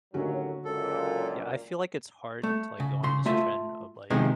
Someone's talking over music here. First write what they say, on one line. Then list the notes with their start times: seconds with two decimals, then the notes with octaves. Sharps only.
Yeah, I feel like it's hard to, like, go on this trend of, like,
0.14 D#2 A2 D3 F#3 C#4 F#4
0.65 C#2 F#2 A#2 A4
2.43 A3
2.80 C#3
3.03 C#3 C6
3.26 A3 F4 E5
4.10 C3 D#3 F3 G#3 B3